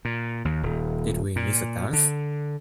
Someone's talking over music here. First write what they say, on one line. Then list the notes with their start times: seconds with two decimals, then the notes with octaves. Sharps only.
Did we miss a dance?
0.05 A#2
0.45 D#2
0.63 D#1
1.36 A#2
1.93 D3